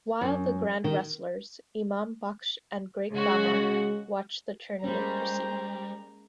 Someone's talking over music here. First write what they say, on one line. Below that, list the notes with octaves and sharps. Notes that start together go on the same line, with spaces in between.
While the Grand Wrestlers, Imam Baksh and Great Gama watched the tournament proceed.
F#2
D#3
C#3 G#3 F#4
G3 G#3 A#3 C#4 C5 A#5